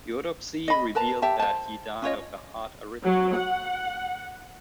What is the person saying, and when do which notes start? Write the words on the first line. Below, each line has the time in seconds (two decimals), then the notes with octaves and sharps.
The autopsy revealed that he died of a heart arrhythmia.
0.68 D#5 B5
0.95 A#4 B4 A5 A#5
1.22 G4 E5 A5
1.39 C5 A5
2.02 C#4 F4 C#5 D#5
3.04 F#3
3.36 F#5